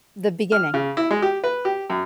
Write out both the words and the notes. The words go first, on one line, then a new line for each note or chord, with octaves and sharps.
the beginning.
F6
C#3
E4
G#3
G4
B4
G4
F#2